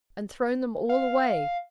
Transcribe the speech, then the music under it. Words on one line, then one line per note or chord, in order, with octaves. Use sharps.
'And thrown them all away.
F5